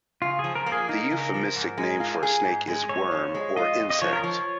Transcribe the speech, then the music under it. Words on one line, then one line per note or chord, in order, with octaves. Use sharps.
"The euphemistic name for a snake is "worm" or "insect"."
C#3 F4
F3 G#4
A#4
A#3
G#4
D#4 A#4
C#3
F3
G#2
G#3
F4
G#4
G#2
G#3
F2 C#5
F3
G#3
F4 D#5
F2
D#5
F3 C#5
A#4
F3 C#5